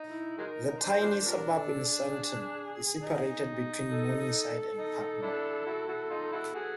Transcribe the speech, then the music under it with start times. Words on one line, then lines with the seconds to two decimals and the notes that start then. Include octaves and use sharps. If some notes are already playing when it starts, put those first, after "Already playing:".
The tiny suburb in Sandton is separated between Morningside and Parkmore.
Already playing: D#4
0.09 E4
0.38 F#3 G#3 D#4 A#4
0.81 D4 C5
0.91 D#4
1.01 F3 G3 D4
1.26 F3 G3 D4 A#4
1.55 A4
1.85 G#4
3.02 D#4
3.90 A4
4.78 D#4
5.22 D4 E4
5.66 E4 F#4
5.88 E4 F#4
6.10 D#4 F4
6.32 E4 F#4
6.54 F#4 G#4